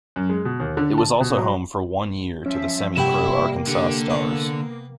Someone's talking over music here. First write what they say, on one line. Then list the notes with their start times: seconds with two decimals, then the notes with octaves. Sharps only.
It was also home for one year to the semi-pro Arkansas Stars.
0.16 F#2
0.29 G#3
0.45 B2
0.60 D#2
0.77 D3
0.98 A5
1.21 B2
1.38 F#3
2.46 F3 C#4 E5
2.97 G2 C3 A#3 E5 F#5 G5 B5 C#6
3.67 D3 G4
4.10 B3